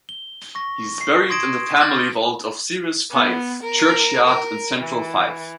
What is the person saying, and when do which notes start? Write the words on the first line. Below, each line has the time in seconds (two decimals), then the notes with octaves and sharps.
He is buried in the family vault of Ceres, Fife churchyard in central Fife.
0.09 G7
0.55 C#6 A#6
1.01 C7
1.30 C6 D#6 G#6 A#6 D7 E7
1.80 D6 F6 G6 A6 A#6 F#7
3.12 B3
3.63 A#4
4.26 A#4
4.78 E3